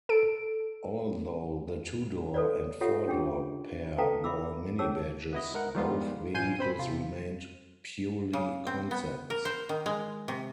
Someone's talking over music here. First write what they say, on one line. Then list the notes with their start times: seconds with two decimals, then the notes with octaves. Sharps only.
Although the two-door and four-door pair wore Mini badges, both vehicles remained purely concepts.
0.09 A4 D7
2.34 A4 B4 C#5 D5
2.81 F4 G4 A4 C#5 E5 F#5
3.08 C#4 D4 G4 G#4
3.98 A4 B4 F5 G5 A5 A#5
4.24 E5 B5 D6 E6
4.79 C#4 G#4 C#5 A5 E6
5.33 B3 E4 D#5
5.54 G#2 A#4 F#5
5.75 D#3 F3 G3 G#3 B3 F4
6.34 A1 F4 G#5 G6 C7 D#7
6.58 C4 C5 B5
6.79 C3 F3 F4
8.33 C#3
8.67 C4
8.91 B3
9.30 A#4
9.45 C5
9.69 D#3
9.86 G#3
10.28 C3